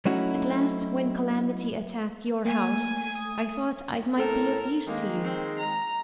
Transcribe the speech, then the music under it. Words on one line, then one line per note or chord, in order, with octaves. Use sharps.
At last, when calamity attacked your house, I thought I might be of use to you.
F#3 A3 C#4 D#4 E4 F#4
A3 A#3 G#5
D#6
A2 A4 A#4
D#3 G#3 A#3
C4
A#5